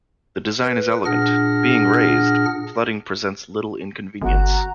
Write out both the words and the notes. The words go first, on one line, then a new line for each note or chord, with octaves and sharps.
The design is elegant: being raised, flooding presents little inconvenience.
B4
A#2 D4 G#4 F#5 F6 A#6
G1 F#4 A#5